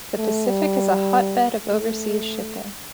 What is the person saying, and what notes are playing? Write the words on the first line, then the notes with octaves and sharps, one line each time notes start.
The Pacific is a hotbed of overseas shipping.
A3
G3
A3